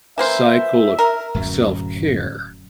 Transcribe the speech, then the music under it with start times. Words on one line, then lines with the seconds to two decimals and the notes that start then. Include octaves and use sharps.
cycle of self-care
0.18 E3 A#3 C5 E5
0.99 A#4
1.34 D1 F#2 F#3